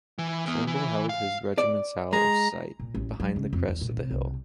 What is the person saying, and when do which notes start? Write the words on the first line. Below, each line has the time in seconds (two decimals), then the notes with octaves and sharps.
Trimble held his regiments out of sight behind the crest of the hill.
0.18 E3
0.46 E3 B3
0.67 E3
1.09 F5
1.58 D5
2.13 G#3 A#5
2.80 A#2
2.95 A1
3.20 F#3
3.36 C#2
3.53 F2
3.69 E2
3.81 A#2
3.97 C3
4.11 C2